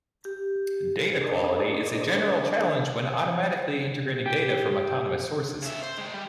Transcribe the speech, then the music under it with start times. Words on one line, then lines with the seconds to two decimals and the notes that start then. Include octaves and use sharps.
Data quality is a general challenge when automatically integrating data from autonomous sources.
0.25 G4
1.21 D4 G#4 A#4 C5 D5 D#5
4.26 G4
5.62 C#3 E5
5.82 C5
5.98 G#3 G5
6.14 G3